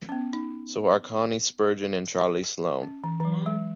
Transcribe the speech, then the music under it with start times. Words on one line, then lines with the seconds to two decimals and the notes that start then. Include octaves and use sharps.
So are Connie Spurgeon and Charlie Sloane.
0.09 C#4
0.12 B3
0.33 D#4
2.83 C#4
3.04 E3
3.20 E3
3.25 F#3
3.46 G#3